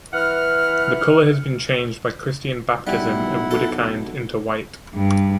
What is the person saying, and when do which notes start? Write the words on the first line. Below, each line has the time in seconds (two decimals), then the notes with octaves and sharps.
The colour has been changed by Christian baptism of Widukind into white.
0.13 E3 B4 F#5 F6
2.87 B1 G3 E4 F#5
3.51 A4
3.99 B1
4.95 G2